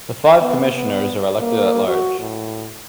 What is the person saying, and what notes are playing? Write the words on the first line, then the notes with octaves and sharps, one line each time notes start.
The five commissioners are elected at large.
B3
B3
A#3
F#4
A2